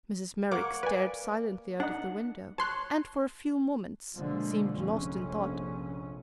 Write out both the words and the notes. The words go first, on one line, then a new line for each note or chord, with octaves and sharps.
Mrs. Merrick stared silently out of the window, and for a few moments seemed lost in thought.
A#3 C#5 F#5 D6
B4 D5 G#5
D4 D#4 F#5
C#5 A5 C6 F#6
B2 D3 F3 G#3 A#3
F1 A#1 F2 C#4